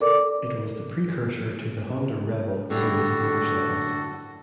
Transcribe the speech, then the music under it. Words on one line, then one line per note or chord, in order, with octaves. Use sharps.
It was a precursor to the Honda Rebel series of motorcycles.
A4 A#4 D5 D6
A2 D3 G3 F#4 A4